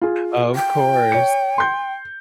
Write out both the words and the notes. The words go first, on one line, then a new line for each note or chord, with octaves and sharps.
of course.
F4 G#4
G5
C#5 C#7
C6 G6